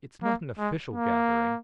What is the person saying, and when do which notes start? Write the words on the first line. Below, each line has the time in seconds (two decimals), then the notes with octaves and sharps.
"It's not an official gathering."
0.23 A#3
0.58 G#3
0.94 A#3